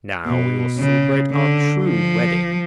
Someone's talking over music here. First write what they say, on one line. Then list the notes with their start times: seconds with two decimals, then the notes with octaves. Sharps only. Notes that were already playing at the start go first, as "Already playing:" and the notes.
Now we will celebrate our true wedding.'
0.26 B2
0.78 C#3
1.31 D3
1.83 F3